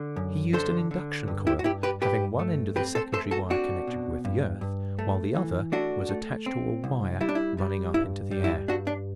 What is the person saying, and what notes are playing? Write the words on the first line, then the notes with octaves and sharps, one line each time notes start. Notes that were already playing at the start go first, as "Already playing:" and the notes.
He used an induction-coil having one end of the secondary wire connected with the earth, while the other was attached to a wire running up into the air.
Already playing: D3
F#2
D3 A4 C5
D3
G2
E4 G4
F#4
G2 E4 G4
G4 B4
G2 G4 B4
A3
C4 G4 B4
A4 C5
A3 A4 C5
F#4 A4
C4 D4 F#4
B2
G2
G2
A3
E3
A3 D4 F#4
A3
C4
C2
G3 E4
D4
E4
G3
G2 E4
G3
E4
G2 D4 F#4
D4